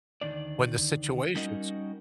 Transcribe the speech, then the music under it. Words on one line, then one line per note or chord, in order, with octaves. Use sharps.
when the situation's
D2 A2 D#3 D4 D5
G3 C#4 D#4 F#4 A#4 D#5